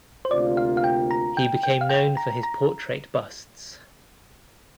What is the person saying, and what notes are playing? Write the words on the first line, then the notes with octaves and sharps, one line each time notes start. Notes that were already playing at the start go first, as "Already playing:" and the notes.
He became known for his portrait busts.
C5
D2 C3 A#3 F4 D5
F5
F5
G5
A#5
G5
G5
F5
G5
A#5
A#5